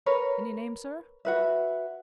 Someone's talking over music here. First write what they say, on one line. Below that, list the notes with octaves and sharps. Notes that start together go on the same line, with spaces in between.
"Any name, sir?"
A#4 B4 C#5
F#4 B4 E5